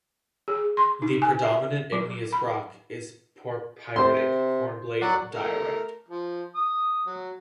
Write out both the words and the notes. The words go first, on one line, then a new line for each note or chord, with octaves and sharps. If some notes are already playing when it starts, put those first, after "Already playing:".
The predominant igneous rock is porphyritic hornblende diorite.
G#4
C6
D#4
G#5
E5
F#3
B5
C3 C5 C6
F#3 D5 F#5
A3 A#4
F3
D#6
F#3